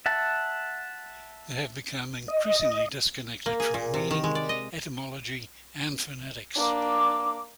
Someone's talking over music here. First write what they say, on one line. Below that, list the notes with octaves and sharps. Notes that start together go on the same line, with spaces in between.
They have become increasingly disconnected from meaning, etymology and phonetics.
E5 F#5 A5
D#5
A#3
G#4
A#2
C3
D#3
G#3
D5
D#5
A#3 D4 D6